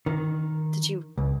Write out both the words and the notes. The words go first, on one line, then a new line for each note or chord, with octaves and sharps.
Did you
D#3
C#2